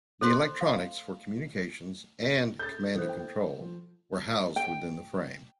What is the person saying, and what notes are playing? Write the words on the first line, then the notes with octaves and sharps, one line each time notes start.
The electronics for communications and command and control were housed within the frame.
A4 C5 C6
F5
A4 G6 A6
E3 B3 E4 A4 C5
G5
F3
G5